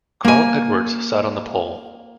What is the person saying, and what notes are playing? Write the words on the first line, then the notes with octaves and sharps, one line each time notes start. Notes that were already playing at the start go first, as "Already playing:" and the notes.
Carl Edwards sat on the pole.
A#3 G#5